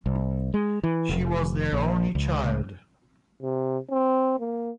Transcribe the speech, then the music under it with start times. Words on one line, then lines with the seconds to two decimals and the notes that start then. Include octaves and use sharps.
She was their only child.
0.06 C2
0.54 G#3
0.83 E3
1.09 F1
1.73 A#1
2.15 C#2
3.42 C3
3.91 C4
4.40 A#3